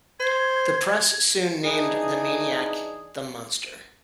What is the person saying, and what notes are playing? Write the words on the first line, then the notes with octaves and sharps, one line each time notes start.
The press soon named the maniac "The Monster".
C5 G#6
E3 D4 D#4 G#4